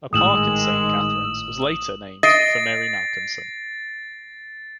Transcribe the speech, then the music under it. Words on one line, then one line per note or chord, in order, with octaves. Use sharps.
A park in Saint Catharines was later named for Mary Malcolmson.
G#1 A2 D#3 G#3 D#6 E6 E7 F#7
D#5 A6 A#6 C7 D7